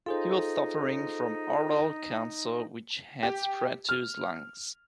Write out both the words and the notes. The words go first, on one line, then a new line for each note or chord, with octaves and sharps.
He was suffering from oral cancer which had spread to his lungs.
D#4 F4 G#4 A4 C5
G4
F6